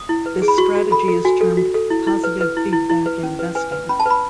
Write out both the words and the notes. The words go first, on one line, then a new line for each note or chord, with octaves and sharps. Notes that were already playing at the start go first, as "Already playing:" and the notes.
This strategy is termed positive feedback investing.
Already playing: D#6
E4
B4
G#4
B5
F#4 C#6
F#4
A4 B5
A4
F#4 G#5
A4
F#4
A4
E4
E4
B4
B4
E4
E4
E4
B4
C#4
B4
B4 G#5
B4
C#4 B5
A5
B4 B5